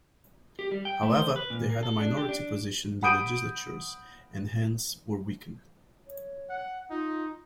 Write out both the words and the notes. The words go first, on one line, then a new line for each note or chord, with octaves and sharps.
However, they had a minority position in the legislatures and hence were weakened.
G4
G3
G5
A3
C5
B4
A#2
A#3
A4
D4
G4
D4
F#5 B5 D#6 G6 D7 D#7
C#5
F#5
D#4 F4